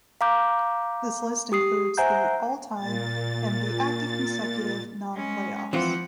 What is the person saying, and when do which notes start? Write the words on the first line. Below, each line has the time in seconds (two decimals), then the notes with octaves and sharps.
This list includes the all-time and the active consecutive non-playoffs.
0.21 F5 A#5 D6 G6
1.52 G4 D#6 C7
1.97 C5 E5 F#5 G#5 A#5 G6
2.74 A#2 A6
5.13 G#3 C#4
5.73 E3 F3 C4 F4 F#5